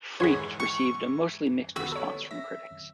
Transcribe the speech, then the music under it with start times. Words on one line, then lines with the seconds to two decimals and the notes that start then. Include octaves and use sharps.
"Freaked" received a mostly mixed response from critics.
0.20 G#2 E3 G#4 C#5 F#5 G#5 B5
0.60 C#6
1.76 B3 F#4 B4 E6
1.92 A4 C#5
2.31 E5 A#6